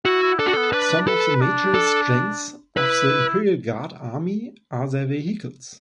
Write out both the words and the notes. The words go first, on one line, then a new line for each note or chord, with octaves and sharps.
Some of the major strengths of the Imperial Guard army are their vehicles.
E4 F#4
E4
D4 A4
F#4
B3 A4
D4 B4
A4 B4
D4
A4
E4 B4